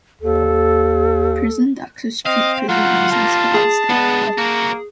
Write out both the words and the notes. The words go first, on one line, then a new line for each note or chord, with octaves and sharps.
Prison doctors treat prisoners and Squad staff alike.
D#2 A4
C4 D#5 F5
F#3 G3 F4 F#5
G3 A#3 A5
G#4
G#3 B3 D4
A#3 F#4 A#4